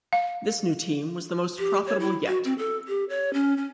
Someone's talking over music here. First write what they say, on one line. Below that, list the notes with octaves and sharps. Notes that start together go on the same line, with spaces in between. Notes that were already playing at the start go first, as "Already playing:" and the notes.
This new team was the most profitable yet.
F5
G4
C#5
E4
F#4
C4
A4
G4
C#5
C#4
C#4